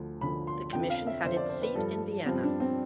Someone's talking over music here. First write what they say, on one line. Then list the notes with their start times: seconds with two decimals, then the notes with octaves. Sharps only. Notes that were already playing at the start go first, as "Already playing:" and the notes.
The commission had its seat in Vienna.
Already playing: D2 D3 F3
0.21 D2 D3 F3 B5
0.47 C6
0.73 F2 D3 F3 G5
0.90 F5
1.07 E5
1.24 F2 D3 F3 C5
1.37 D5
1.49 C5
1.62 B4
1.75 G2 F3 A4
2.26 G2 F3 C4
2.43 D4
2.60 C4